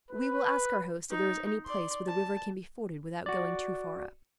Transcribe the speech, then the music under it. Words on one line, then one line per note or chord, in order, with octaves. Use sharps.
We will ask our host if there is any place where the river can be forded, without going too far up.
B4
D#4
D5 C6
A5
F#4 D5